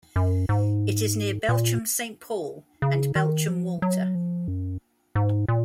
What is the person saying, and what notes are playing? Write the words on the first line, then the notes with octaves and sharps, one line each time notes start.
It is near Belchamp Saint Paul and Belchamp Walter.
F#2
G#2
A#2
C#3
D#3
F3
F#3
F3
F#2
G#2
A#2